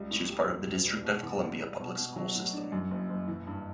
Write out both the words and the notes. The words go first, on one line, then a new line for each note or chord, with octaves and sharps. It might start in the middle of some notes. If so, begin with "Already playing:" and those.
She was part of the District of Columbia Public Schools system.
Already playing: C#2 G3
A2
G4
E2
E1
G3
B2
E2
E2
G3
B2
B2
F#3
A2
D4
F#2
F#1
F#1
E3
G2